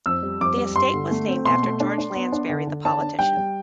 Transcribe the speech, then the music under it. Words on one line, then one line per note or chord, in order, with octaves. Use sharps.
The estate was named after George Lansbury the politician.
F2 E6
G3
F2 D6
G3
G2 C6
D3
A3
C4
B2 C6
A3
D4
D4
B3
D4
D3
D3
D4 A5
D4
G3 G5
G3